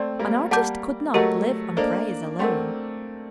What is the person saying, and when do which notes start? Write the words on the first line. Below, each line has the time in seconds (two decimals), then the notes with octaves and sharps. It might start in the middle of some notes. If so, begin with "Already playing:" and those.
An artist could not live on praise alone.
Already playing: A3 C4 D5 G5 C6
0.19 G3 A#3
0.51 G3 A#3 F#5 A5 D6 G6
1.14 F#3 A3 G4 A#4 D#5 F#5
1.77 A#3 D4 A4 C5 D#5
2.39 A3 C4 A#4 F#5 C6